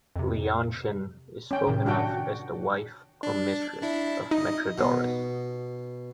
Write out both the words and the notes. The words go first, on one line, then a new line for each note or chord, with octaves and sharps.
Leontion is spoken of as the wife or mistress of Metrodorus.
F2 C3
C#4 G5
A2 C3 D#3
D4 F#4 G5
D4
D4 E4
D#4 D#5
B2